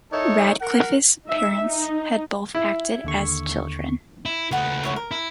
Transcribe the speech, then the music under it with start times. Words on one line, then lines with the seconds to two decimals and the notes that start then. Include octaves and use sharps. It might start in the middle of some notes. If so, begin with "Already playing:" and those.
Radcliffe's parents had both acted as children.
0.13 D#4 E4 A4 C#5
0.61 A#4 F#5
1.27 D#4 E5
1.64 D#4
2.55 E4
3.04 D#2 D3 C#6
4.25 E4
4.51 C#2 A3 B4 F#5 D#6
4.84 E4 C#5 F#5
4.96 A#4
5.11 E4